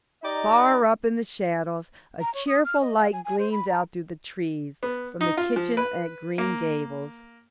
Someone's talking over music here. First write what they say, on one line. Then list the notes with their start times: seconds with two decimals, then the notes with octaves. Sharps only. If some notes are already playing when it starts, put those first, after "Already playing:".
Far up in the shadows a cheerful light gleamed out through the trees from the kitchen at Green Gables.
0.23 D#4 G4 D5 D#5 A#5
2.21 A#5
2.34 C#5
2.47 D#6
2.65 F6
2.81 D#5
2.96 F5
3.13 G#5
3.25 G#5
3.39 C5
3.52 B5
3.69 A#5
4.83 B3
5.21 D#4
5.37 F4
5.56 F3
5.77 B4
6.38 A#3